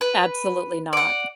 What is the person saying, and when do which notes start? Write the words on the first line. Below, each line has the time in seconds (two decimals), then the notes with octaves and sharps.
Absolutely not.
0.01 B4
0.93 D5 F#5